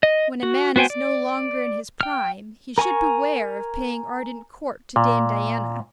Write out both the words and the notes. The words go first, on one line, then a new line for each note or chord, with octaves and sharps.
When a man is no longer in his prime, he should beware of paying ardent court to Dame Diana.
D#5
F#4
B3 F#4 C5 G5 G#5
D5
G5 F6
A#4 G#5 A#5 C#6
A#2